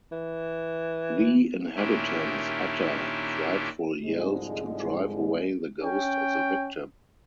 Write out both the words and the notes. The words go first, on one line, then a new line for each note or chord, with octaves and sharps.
The inhabitants utter frightful yells to drive away the ghost of the victim.
E3
A#2 D#3 C#4 D4 E4 G4
C2 G#2 D3 F3 G#3
C#4 G5